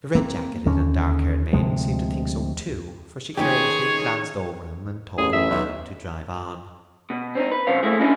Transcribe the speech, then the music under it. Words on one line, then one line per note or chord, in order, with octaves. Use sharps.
The red-jacketed and dark-haired maiden seemed to think so too, for she carelessly glanced over him, and told her man to drive on.
A#3 C4
D#2 D3 C#4
D2 C3 F3 G#3
A#2 D#3 C#4 D#4 G4 G#4 B4 C#5
A1 G#4
A1 E5
B1
B2
C4 C#4 D#4
B4
F#2 C3 C5 F5
A3 A#3 E4 G#4
C#4 D4 E4 D#5 G5 G#5